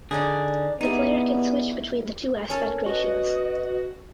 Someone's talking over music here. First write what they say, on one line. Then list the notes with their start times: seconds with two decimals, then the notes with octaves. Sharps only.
The player can switch between the two aspect ratios.
0.11 D3 D4 D#4 G#4 D5
0.81 G3 B3 D#4 E4 G#4
2.50 C#4 A4 A#4
2.86 F#4 B4 D#5